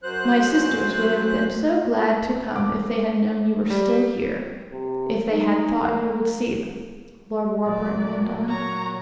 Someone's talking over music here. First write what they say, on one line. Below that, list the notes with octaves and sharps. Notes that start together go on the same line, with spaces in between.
"My sisters would have been so glad to come if they had known you were still here--if they had thought you would see them," Lord Warburton went on.
F#2 F#3 C5 F#6
D6
G3
C3
D#4
A#3
A#2 F#3 D5
C#5 A#5